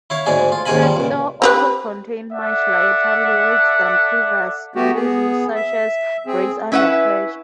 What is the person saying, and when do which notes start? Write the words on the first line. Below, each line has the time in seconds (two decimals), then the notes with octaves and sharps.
"Presto" also contained much lighter lyrics than previous releases such as "Grace Under Pressure".
0.10 E4 C#5 F5
0.26 D2 G#2 D4 G#4
0.52 F4
0.66 D#2 G#2 G#4 A#4 G#5 B5
0.82 F3 G3
0.97 C#2 A#2
1.42 C4 G4 B4
2.33 A4 D5 E5 F#5
4.76 A3 B3 F#4 G4
4.95 B3 G#4
5.55 E5
6.26 C4 G#4
6.72 C#4 E4 B4 E5 F#5